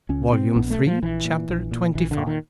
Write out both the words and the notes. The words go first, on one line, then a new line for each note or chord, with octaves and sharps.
Volume Three, Chapter XXV.
C#2 C#4
B2 C4
A#1 B3
A3
A#2
F3
A#1 E3
A#2
A#1
A#2
A#1 E3
D3
A#2
D#3